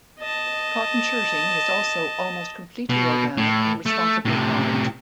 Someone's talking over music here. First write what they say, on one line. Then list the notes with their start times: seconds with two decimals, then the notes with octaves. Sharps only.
Cotton shirting is also almost completely organic and responsibly farmed.
0.20 D#5 A5
2.90 B2
3.38 A2
3.86 A3
4.25 A2 C3